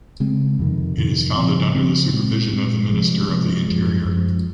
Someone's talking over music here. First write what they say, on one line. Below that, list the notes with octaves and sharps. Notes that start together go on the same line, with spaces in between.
It is founded under the supervision of the minister of the interior.
C#3 G#3 C4
F2 C3 D#3
F2 C3 D#3
C#3 F3 C4
C#3 F3 C4
A#2 G#3 C4
A#2 G#3 C4
C3 F3 G#3
C3 F3 G#3
F#2 F3 G#3
F#2 F3 G#3